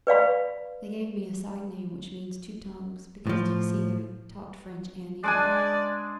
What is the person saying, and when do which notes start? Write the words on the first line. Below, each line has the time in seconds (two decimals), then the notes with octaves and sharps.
They gave me a side-name which means "Two Tongues," because, d'ye see, I talked French and English.
0.07 B4 D5 F5 B5
3.27 A2 F3
5.23 G#3 D4 D5 G#5